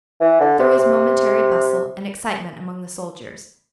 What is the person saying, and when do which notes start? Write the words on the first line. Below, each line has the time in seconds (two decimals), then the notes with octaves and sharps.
There was momentary bustle and excitement among the soldiers.
0.21 E3
0.40 D3
0.59 C3
0.79 C3